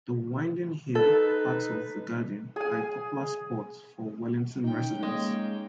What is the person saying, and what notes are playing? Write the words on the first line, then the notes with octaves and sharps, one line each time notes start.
The winding hill paths of the Garden are a popular spot for Wellington residents.
D#4 A4 B4
G#4 G#5
C#4 D#4 G5
G#3 A#3